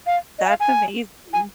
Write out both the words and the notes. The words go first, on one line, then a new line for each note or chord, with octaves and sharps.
That's amazing.
F5
D#5
G#5
F5
G#5
G#5